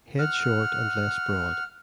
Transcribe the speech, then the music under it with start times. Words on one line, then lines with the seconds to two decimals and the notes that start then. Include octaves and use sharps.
Head short and less broad.
0.19 F#5 F6